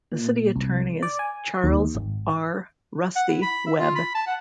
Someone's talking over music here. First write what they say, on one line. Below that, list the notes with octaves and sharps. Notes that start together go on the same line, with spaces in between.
The City Attorney is Charles R. "Rusty" Webb.
A#2
C2
D5
G#5
D#2
G#1
F#5
E4
B5
E5
F4
B5
A5
F#5